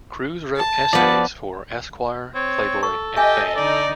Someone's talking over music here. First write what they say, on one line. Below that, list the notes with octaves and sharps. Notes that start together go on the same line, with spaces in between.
Crews wrote essays for "Esquire", "Playboy", and "Fame".
A5
F3 B3 D5
C4 C#5
A4 C#6
G4 D#5 E5 G#5
D3 D#4 D5